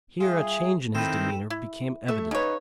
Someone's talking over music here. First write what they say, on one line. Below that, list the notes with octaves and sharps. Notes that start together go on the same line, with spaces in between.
Here a change in his demeanor became evident.
G3 F4 G#4 E5
D#3 C4 E4 A4 B4 G5
E4
A3 E5
C#3 D#4 B4 C#5